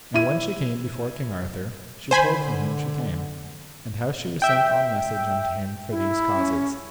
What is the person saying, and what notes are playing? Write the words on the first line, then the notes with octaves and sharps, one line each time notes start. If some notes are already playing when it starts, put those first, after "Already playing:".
And when she came before King Arthur, she told from whom she came, and how she was sent on message unto him for these causes.
E4 D#7
D3 C5 G#5 B5
E5 G5
E4
C#4